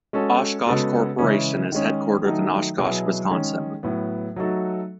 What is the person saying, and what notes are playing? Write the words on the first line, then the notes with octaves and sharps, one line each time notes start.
Oshkosh Corporation is headquartered in Oshkosh, Wisconsin.
G#3 C#4 F#4 A4
C#3 G#3 B3 F#4 A4
C#3 E3 G#3 C#4
D#3 G#3 C#4
D#3 F#3 A3 D#4
B2 F#3 B3 E4 G#4
D#3 G#3 C#4
A2 F#3 B3
F#3 A3 D#4 F#4 A4